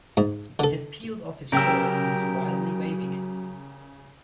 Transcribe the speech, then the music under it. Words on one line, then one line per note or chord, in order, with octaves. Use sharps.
He had peeled off his shirt and was wildly waving it.
G#2
D3 A4
C#3 F#3 G4 A#4 G5 E6